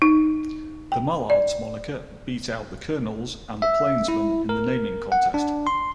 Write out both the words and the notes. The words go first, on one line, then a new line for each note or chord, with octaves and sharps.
The "Mallards" moniker beat out the "Kernels" and the "Plainsmen" in the naming contest.
D#4
G5
D5
E5
E4
A#4
F#5
D4
C6